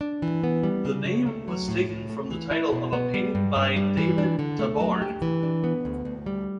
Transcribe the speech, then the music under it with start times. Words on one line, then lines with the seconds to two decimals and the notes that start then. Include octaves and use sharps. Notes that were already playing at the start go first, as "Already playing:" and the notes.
The name was taken from the title of a painting by David Taborn.
0.01 D4
0.22 E3
0.44 B3
0.63 G3
0.85 C#3
1.05 C#3
1.26 A3
1.48 F#3
1.68 A2
1.89 A2
2.10 A3
2.30 E3
2.51 E4
2.72 B2
2.93 B3
3.14 G3
3.35 G2
3.56 G2
3.76 G3
3.97 E3
4.18 D4
4.39 D3
4.59 A3
4.80 F#3
5.02 G4
5.22 E3
5.43 D4
5.64 B3
5.85 D2
6.05 D2
6.26 G3